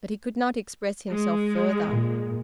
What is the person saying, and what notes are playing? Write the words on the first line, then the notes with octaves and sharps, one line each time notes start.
But he could not express himself further.
G#3
A#2